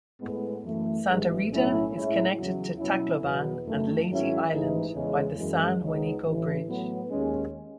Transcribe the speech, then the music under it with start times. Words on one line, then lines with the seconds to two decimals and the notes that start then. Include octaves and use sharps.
Santa Rita is connected to Tacloban and Leyte Island by the San Juanico Bridge.
0.20 A2 G#3 B3
0.63 F#2 E3 A3
1.07 A1 G#2 E3 G#3
1.49 B1 A2 F#3 C#4 E4
1.92 A2 G#3 C#4 E4
2.36 E2 C#3 F#3
2.79 B2 F#3 C#4 E4
3.22 E2 B2 F#3 B3
3.65 F#2 D#3 A3
4.08 G#2 D#3 F#3 C#4 E4
4.51 A1 G#2 E3 G#3 D#4
4.94 E2 C#3 G#3
5.37 F#2 E3 G#3
5.81 C#2 C#3 G#3 B3 D#4
6.24 A1 A2 E3
6.67 A2 F#3 B3
7.10 D#2 D#3 G#3 C#4